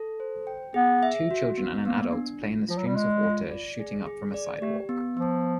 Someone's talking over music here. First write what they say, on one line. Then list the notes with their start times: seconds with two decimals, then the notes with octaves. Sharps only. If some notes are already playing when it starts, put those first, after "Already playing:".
Two children and an adult play in the streams of water shooting up from a sidewalk.
Already playing: A4
0.20 C5
0.47 G5
0.74 B3 G#4
1.03 E5
1.31 F#4
1.58 B3
1.85 A#3 B3
2.13 D4
2.41 F4
2.69 F3 F4
2.77 F#3
2.86 G3
2.96 G#3 D5
3.24 F4
3.51 D5
3.79 G#4
4.06 G#4
4.34 D5
4.61 A3 G4
4.89 B3
5.17 F3 B3